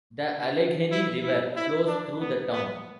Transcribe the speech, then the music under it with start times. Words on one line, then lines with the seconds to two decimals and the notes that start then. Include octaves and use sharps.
The Allegheny River flows through the town.
0.91 E4
1.24 E4
1.56 E4
1.87 D4
2.20 B3
2.53 B3